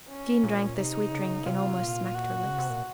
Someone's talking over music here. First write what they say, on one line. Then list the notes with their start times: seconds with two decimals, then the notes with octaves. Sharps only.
Jean drank the sweet drink and almost smacked her lips.
0.09 C#4
0.44 A#2
0.77 C3 D#4
1.11 C#3
1.46 C3 F4
1.80 A#2
2.14 F#4
2.45 C#3
2.58 C3
2.70 A#2